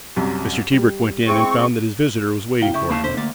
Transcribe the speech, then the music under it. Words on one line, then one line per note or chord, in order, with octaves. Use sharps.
Mr. Tebrick went in and found that his visitor was waiting for him.
C2 F#2 C3
G3
G#3 C4 E4 C#6 C#7
B2 E4 F5 G5 G7
C#3 E4 C#6 G6
A#3 F5 A5
B2 D3 C5 B6
D2 A#3 D5